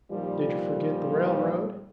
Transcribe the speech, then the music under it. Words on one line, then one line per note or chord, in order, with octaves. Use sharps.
Did you forget the railroad?
A#2 D#3 F3 G3